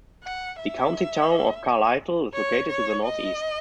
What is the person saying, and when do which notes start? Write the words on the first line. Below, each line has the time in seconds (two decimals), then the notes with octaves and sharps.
The county town of Carlisle is located to the north east.
0.24 F#5
0.59 E5
2.34 C#5
2.69 C#5
3.05 D#5